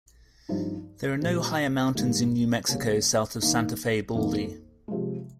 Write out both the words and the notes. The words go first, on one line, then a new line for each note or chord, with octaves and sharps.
There are no higher mountains in New Mexico south of Santa Fe Baldy.
G2 F3 C4 D#4
A#2 G3 C4
G#2 D#3 G3 A#3
C#3 G3 A#3 C#4
D#3 A#3 D#4
F2 D#3 A#3 D#4
C3 F3 G#3